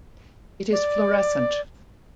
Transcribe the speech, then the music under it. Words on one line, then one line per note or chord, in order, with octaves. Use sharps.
It is fluorescent.
D5